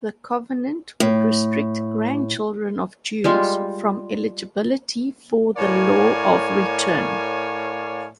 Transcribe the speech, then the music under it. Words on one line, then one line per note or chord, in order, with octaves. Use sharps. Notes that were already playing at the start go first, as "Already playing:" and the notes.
The covenant would restrict grandchildren of Jews from eligibility for the Law of Return.
A2
G3 G#3 F4
A2 A#4 C#5 D5 F5 G#5